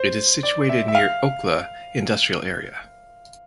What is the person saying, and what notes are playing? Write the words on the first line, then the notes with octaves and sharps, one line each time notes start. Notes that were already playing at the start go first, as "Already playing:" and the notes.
It is situated Near Okhla Industrial Area.
Already playing: C5
D5
E5
E5
F5